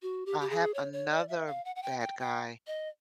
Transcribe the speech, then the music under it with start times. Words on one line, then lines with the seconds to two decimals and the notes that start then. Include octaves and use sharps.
uh, have another bad guy
0.02 F#4
0.26 G4
0.40 G4
0.50 G#4
0.74 C#5
0.93 C#5
1.10 D5
1.28 E5
1.47 F5
1.65 F#5
1.76 F#5
1.83 G5
2.01 G5
2.19 G5
2.67 D#5